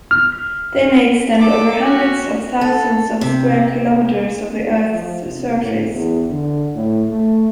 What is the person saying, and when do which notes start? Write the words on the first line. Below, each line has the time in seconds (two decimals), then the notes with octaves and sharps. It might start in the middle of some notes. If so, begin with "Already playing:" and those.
They may extend over hundreds of thousands of square kilometers of the Earth's surface.
0.11 F6
1.39 A4 D6
1.83 C#4 F#4
2.61 A4
3.21 C3
4.93 F3
5.25 C3
5.60 A2
5.92 E2
6.30 D3
6.75 A2
7.10 A3